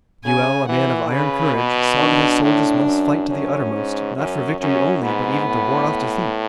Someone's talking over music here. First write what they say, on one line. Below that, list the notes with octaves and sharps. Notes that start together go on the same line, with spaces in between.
Buell, a man of iron courage, saw that his soldiers must fight to the uttermost, not for victory only, but even to ward off defeat.
C#3 G#5
E3 F#5
C#3 B4
B2
D4
A2
F#2
F#2 C#4
G#2
F#2 C#4
F#2 C#4
G#2 B3
A2